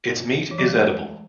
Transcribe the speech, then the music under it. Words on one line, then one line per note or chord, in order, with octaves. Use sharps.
Its meat is edible.
E3
F#3
G#3
A3